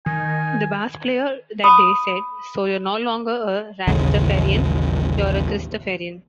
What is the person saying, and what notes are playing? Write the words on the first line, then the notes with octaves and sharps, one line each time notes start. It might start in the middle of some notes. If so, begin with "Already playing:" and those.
The bass-player that day said; So you're no longer a Rastafarian, you're a Christafarian.
D#3 G#5
B5 D#6
A1 D#2 C#3